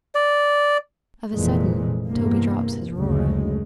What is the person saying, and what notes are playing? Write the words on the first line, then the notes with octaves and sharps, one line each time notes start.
Of a sudden Toby drops his Aurora.
D5
F1 F2 A#2 E3 G#3
E2 G2 C3 A#3
F#1 D2 C#3 G#3